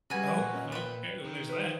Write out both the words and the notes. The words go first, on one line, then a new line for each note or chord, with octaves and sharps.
Oh, okay, well, there's that.
C#3 G3 F#4 B4 G#5
A#2 C#6
C#4 D#5
B4 G5 B5
D#3
B4 C5 D#6